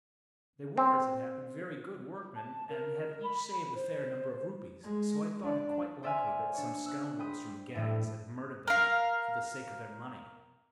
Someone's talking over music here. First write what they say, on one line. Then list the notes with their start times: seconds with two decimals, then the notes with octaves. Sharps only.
They were, as it happened, very good workmen, and had each saved a fair number of rupees, so I thought it quite likely that some scoundrels from the gangs had murdered them for the sake of their money.
0.77 C4
2.36 A5
2.69 A#4
3.23 B5
3.75 C5
4.84 G#3
5.44 D4
6.03 C5 D5 E5 F5 G#5
6.26 D6
6.54 D4 C#5
6.86 E6 F#6
7.19 C5 G5 B5 D#6
7.75 A2 G3 A3
8.68 A#4 F5